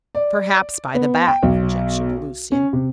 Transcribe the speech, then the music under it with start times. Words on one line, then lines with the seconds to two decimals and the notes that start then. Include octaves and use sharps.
"Perhaps by the back," conjectured Lucian.
0.15 D5
0.94 B3
1.27 G5
1.43 B1
2.52 C#4
2.73 C3